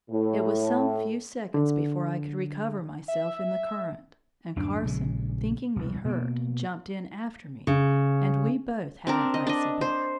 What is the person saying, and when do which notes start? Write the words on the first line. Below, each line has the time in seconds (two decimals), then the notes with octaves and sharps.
It was some few seconds before I could recover myself in the current, and Carson, thinking me hurt, jumped in after me, and we both had an icy bath.
0.11 A2
1.54 D3
3.08 E5
4.56 D1 F#2 D4
4.83 A#1 C#3 G#3
5.76 E1 C2
6.05 B2 A#3
7.67 C#3
9.07 C4 D4 A#4
9.34 D#5
9.47 D4 D#5
9.81 C5